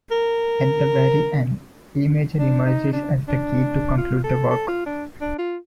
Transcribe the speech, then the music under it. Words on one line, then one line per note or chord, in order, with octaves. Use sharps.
At the very end E major emerges as the key to conclude the work.
A#4
D4
D#4
D4
D4
F4
A4
A4
F4
D4
D4
F4